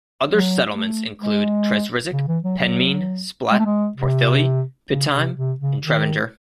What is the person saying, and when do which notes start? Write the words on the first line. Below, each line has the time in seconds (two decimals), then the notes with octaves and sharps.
Other settlements include Tredrizzick, Penmean, Splatt, Porthilly, Pityme and Trevanger.
0.27 F#3
0.73 A3
1.19 G#3
2.12 C#3
2.28 E3
2.44 F#3
2.59 F#3
3.51 G#3
3.59 A3
3.65 G#3
3.97 C3
4.91 C#3
5.13 C3
5.36 C3
5.60 C#3
5.83 D#3